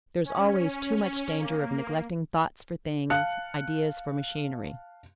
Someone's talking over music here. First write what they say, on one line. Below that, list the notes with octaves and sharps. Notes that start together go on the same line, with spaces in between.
There is always too much danger of neglecting thoughts for things, ideas for machinery.
C#4
A#3
F5 A5 F#6 C#7